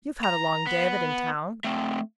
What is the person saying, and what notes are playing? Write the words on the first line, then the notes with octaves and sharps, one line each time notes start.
You've had a long day of it in town.
A#5
B3
A3 C4